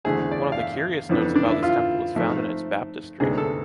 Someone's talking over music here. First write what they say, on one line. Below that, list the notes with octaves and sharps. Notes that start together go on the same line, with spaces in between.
One of the curious notes about this temple is found in its baptistery.
E2 D3 A3 C4 G#4
D5
F5
E5
F2 E3 B3 D4
D4
E4
F4
G#2 F3 A3 C4
D2 C3 G#3 B3 D4 G#4
A4